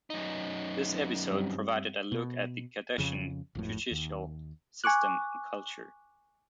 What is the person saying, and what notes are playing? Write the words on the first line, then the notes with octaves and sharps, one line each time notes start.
This episode provided a look at the Cardassian judicial system and culture.
F#2 D#4
G2 G3 C4
B2
F2 C#3
G#1 F2 A2
D#2
G#5 C#6 D6 F#6